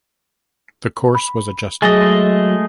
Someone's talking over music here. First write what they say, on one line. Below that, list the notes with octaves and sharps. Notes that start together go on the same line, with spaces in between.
The course was adjusted.
B5
F#3 G#3 A3 G#4 D#5 G#5 A6